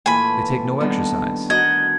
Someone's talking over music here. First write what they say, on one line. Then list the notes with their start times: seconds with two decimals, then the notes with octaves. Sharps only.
They take no exercise.
0.06 A#2 E3 A3 G#5 B5
0.80 D3 D#3 G3 B3
1.50 F#4 A#4 D#5 F#5 G#6